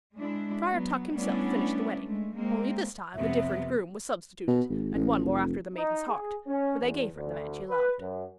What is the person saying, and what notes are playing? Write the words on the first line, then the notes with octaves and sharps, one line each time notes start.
Friar Tuck himself finished the wedding--only this time a different groom was substituted and one more after the maiden's heart, for they gave her the man she loved.
G#3 D4 E4
F#3 B3
G3 A3 B3 C#4 D4 E4
G#3 A3
G#3 A#3 C4
F2 C3 B3 E5
B2
G#1
A1
F1
D#4
G#4
C#4
E2
D2
B4
F#2